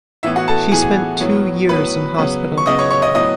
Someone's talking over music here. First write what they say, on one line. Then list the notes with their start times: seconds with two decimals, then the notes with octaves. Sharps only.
She spent two years in hospital.
0.23 A2 E3 B3 E4 E5
0.36 F#4 F#5
0.48 A4 A5
0.71 A2 E3 B3 G#4 G#5
1.20 A2 F#3 B3
1.69 A2 F#3 B3 B4 B5
2.18 C#3 F#3 B3
2.58 C#6
2.66 C#3 F#3 B3 D#5 D#6
2.79 C#5 C#6
2.90 C#5 C#6
3.02 D#5 D#6
3.15 A2 F#3 B3 D#5 D#6